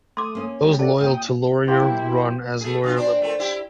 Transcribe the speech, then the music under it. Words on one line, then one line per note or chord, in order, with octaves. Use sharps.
Those loyal to Laurier run as Laurier-Liberals.
A3 C6 D6 D#6
A#3 C#4
G#3 G4
F#4 A4 D5 A5
A#2 G5 D#6
F#3 A#3 E4 G4 C5
A3 G#4
D3 F3 F4
C4 D4
A3 C4
E4 G4